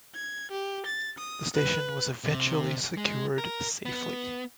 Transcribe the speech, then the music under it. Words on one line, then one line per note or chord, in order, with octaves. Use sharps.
The station was eventually secured safely.
G#6
G4
A6
D#6
B4
C3
G#3
A#4
B3